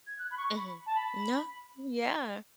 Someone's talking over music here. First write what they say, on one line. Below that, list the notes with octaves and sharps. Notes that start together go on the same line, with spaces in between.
Mhm. No. Yeah.
G#6
F#6
B5
C#6
B5
A5
B5